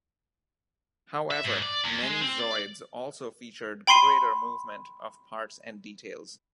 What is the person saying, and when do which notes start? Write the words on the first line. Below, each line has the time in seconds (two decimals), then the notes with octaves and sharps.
However, many Zoids also featured greater movement of parts and details.
1.31 E5
1.44 G#2
1.63 D5
1.84 E2
2.03 G#3
2.22 C4
2.40 D5
3.87 G5 B5 C6 C7 D#7